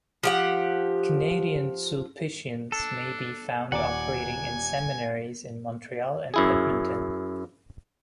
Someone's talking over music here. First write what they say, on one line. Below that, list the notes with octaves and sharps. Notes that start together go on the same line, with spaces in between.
Canadian Sulpicians may be found operating in seminaries in Montreal and Edmonton.
F3 G4 F#5
D4 A4
D#1 D5 F#5 G#5 A#5 D6
F#2 E4 G#4